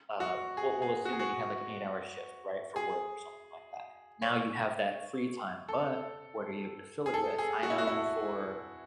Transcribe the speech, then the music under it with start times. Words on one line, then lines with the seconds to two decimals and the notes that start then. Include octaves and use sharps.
uh we'll we'll assume that you had, like, an eight-hour shift, right? For work or something like that, now you have that free time, but what are you able to fill it with? I know for,
0.20 F#4
0.57 G#4
0.82 G#4
1.05 F#4
1.13 G#4
1.20 F#4
2.76 G#4
4.22 C#5
5.69 A4
7.06 G#4
7.14 A4
7.38 G#4
7.63 F#4
7.70 E4
7.78 F#4
7.87 E4